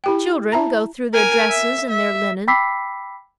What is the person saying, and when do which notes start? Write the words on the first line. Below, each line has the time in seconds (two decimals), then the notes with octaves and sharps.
Children go through their dresses and their linen.
0.04 E4 G4 G5
0.52 E4 E5 A5 A#5
1.14 A#4 G#5
1.50 E5
1.90 E5
2.48 G5 B5 D6 E6 B6 C7